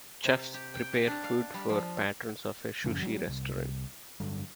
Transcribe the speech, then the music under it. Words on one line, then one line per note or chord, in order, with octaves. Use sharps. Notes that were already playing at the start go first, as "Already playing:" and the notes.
Chefs prepare food for patrons of a sushi restaurant.
C3
G4
G5
G4
D4
F5
G3
F3
F#2 C#3 F3
F#3 G#3 A#3
C2
G2 D3 F#3